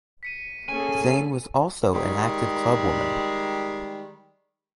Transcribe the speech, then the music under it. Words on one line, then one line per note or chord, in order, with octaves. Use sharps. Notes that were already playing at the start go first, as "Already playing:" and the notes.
Zane was also an active clubwoman.
B6 C#7 D#7
A#3 C#4 G#4 A4 G#5
D#3 G3 G#3